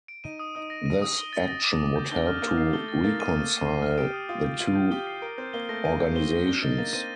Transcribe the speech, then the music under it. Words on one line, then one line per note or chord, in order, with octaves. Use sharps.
This action would help to reconcile the two organizations.
D7
D#4 D#7
D#6
D#4 D#6
A#6
D#7
D#6
G7
A6
A#6
D6
D6
G6
D4 G7
F6
A#3 F6
C7
A3 G7
A6
A#3 A6
D#7
A6
D6
C7
F6
G4 D7
D#6
F4 D#6
G6
F4 D#7
G6
G4 G7
C7
A#4 D7
C4 G6
A#3 G7
A3 A#6
A#3 D#7
G6
C4 G7
A#6
D4 G7
D#4 A6
A#3 A6
C4 D#7